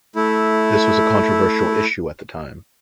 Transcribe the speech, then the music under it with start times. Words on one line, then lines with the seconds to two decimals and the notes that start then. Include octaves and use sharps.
This was a controversial issue at the time.
0.16 A3 E4